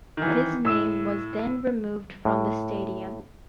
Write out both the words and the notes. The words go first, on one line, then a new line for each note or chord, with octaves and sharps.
His name was then removed from the stadium.
D#3 E3
A2 E6 E7
A2